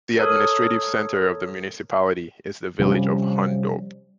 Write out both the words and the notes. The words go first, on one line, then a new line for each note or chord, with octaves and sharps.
The administrative centre of the municipality is the village of Hundorp.
A4 A#4 C#5 D#6
C3 F3 G3 C#4